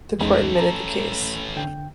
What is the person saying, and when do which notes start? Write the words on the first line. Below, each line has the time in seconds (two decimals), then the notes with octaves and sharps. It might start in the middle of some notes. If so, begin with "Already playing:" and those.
The court admitted the case.
0.20 E2 G#3 A3 C#4 D#4
0.55 A5 A#5
1.57 D3 G5